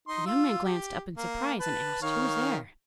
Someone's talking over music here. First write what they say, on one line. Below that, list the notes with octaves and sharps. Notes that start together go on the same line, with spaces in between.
The young man glanced up in surprise, and asked who was there.
D#4 C6
F4 E6
G4
A#3
B4 A5
D#3 C#5 F5